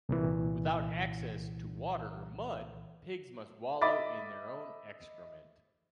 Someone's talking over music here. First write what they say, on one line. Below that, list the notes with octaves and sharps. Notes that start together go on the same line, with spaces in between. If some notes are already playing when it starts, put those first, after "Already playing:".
Without access to water or mud, pigs must wallow in their own excrement.
C2 A#2 E3
D#5 E5 B5 D6 A6